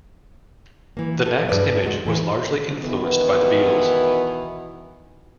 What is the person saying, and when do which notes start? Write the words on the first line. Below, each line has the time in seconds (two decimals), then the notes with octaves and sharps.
The Knack's image was largely influenced by the Beatles.
0.97 E3 A#3
1.26 A4
1.49 G2 G#4 B4 D5
1.83 E2 G#3 F#4
2.06 A2 E3
2.82 B2 D#3 E3 B3